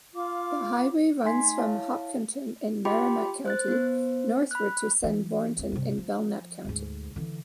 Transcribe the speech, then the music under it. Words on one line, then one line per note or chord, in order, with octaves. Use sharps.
The highway runs from Hopkinton in Merrimack County northward to Sanbornton in Belknap County.
F4 F5 D6
A3 D#4 G#5 C6 B6
E4 C#5 F5 A5
F4 G4 G5 B5 C6 D6
C5 F#6 A6
B3 C5
B5 F#6
E3
D#2 B3
G2 C3
F3
D2 G#2
D3 E3